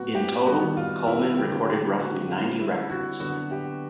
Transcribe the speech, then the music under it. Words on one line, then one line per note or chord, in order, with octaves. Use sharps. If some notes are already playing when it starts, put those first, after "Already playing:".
In total, Coleman recorded roughly ninety records.
Already playing: A2 F#3 B3 F#4
G4
D#3 G3 B3 F#4
F4
E4
D3 F3 A#3 G4
G4
F#4
D3 G3 C4 F4
E4
F#4
D3 F#3 B3 F#4
G4